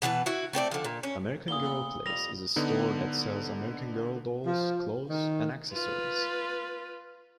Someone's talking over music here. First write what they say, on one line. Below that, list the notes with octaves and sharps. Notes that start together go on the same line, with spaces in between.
American Girl Place is a store that sells American Girl dolls, clothes, and accessories.
B2 E3 B4 A5
E4 F#4
A3 C4 C5 D5
D3 F3
A#2
C#4
E2 A#2 A#3 D#6 G7
A#2 A3 B3
F2 G3 A#6 F7
D3 B3 D#4
F3
D#3
F4 B4